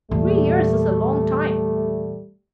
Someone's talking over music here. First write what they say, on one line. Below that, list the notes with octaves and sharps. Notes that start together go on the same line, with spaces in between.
Three years is a long time.
E2 A#2 G3 A3